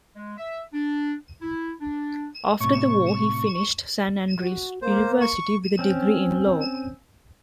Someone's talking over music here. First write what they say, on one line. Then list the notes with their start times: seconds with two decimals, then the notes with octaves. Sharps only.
After the war he finished San Andres University with a degree in law.
0.15 G#3
0.38 E5
0.73 D4
1.42 E4
1.81 D4
2.60 A2 C3 C#6
4.40 F#4
4.82 A#3 C5
5.21 C#6
5.79 C4 C#4